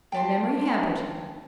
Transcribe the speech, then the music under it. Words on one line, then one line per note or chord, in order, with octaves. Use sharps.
Their memory hampered him.
G5 A5 C6